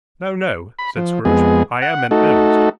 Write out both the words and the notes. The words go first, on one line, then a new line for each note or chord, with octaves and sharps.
'No, no,' said Scrooge. 'I am in earnest.
B5
F3
F2 G#3 B3 G#4
F#5
A3 D#4 F#4 A4